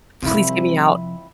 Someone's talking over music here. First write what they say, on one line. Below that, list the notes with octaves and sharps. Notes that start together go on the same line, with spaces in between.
please get me out."
C2 F2 C3 F3 E4